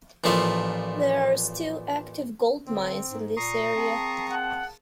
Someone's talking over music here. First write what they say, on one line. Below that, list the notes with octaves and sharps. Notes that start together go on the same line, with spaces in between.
There are still active gold mines in this area.
A1 A#2 F3 A3 C6
D3 C4
G#2
A#2 A#5 C#6 D#6 C7
A#3 C4 G#4 A5
F#5